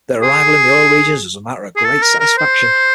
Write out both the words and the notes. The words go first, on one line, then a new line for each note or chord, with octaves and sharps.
Their arrival in the oil regions was a matter of great satisfaction.
G#4
G#4
A4
A#4
A#4
C5